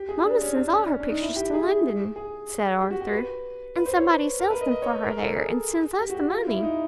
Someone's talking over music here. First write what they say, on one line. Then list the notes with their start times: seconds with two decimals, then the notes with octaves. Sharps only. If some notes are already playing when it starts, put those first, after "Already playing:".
'Mamma sends all her pictures to London,' said Arthur; 'and somebody sells them for her there, and sends us the money.'
Already playing: G4
0.09 G#4
0.25 D4
0.42 C#4
0.56 D4
0.73 C#4
0.89 C#4
1.00 D4
1.10 D#4
1.21 E4
1.36 G4
1.53 G#4
2.16 G#4
2.81 G4
2.91 F#4
3.01 G4
3.11 B4
3.76 B4
3.86 C5
3.97 C#5
4.08 B4
4.39 A#4
4.50 B4
4.61 D#5
4.71 D#5
4.82 C#5
5.03 A#4
5.20 A4
5.36 G#4
5.99 G4
6.10 F#4
6.15 G4
6.31 F4
6.47 E4
6.63 D#4